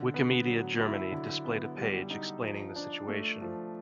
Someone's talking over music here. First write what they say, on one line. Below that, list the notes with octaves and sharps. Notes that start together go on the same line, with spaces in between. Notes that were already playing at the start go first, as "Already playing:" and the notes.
Wikimedia Germany displayed a page explaining the situation.
Already playing: D3
B3
F#3
E4
D3
B3
G3
D#4
F3
D4
A3
F3